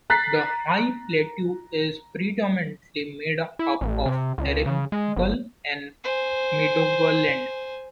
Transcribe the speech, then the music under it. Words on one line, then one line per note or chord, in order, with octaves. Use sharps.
The high plateau is predominantly made up of arable and meadowland.
A#5 F#6 A6 B6 C7
E4
A1
C3
C#2
C#3
G#3
G1
C5 G#5